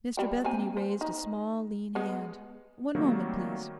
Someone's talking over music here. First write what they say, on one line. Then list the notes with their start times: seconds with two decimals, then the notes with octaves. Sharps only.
Mr Bethany raised a small lean hand: 'One moment, please.
0.17 G3 G5
0.44 A#3 C4 G#5
0.77 C5
1.01 D#4
1.95 G#3 B3
2.95 D#3 F#3 G3 A3 A#3 C4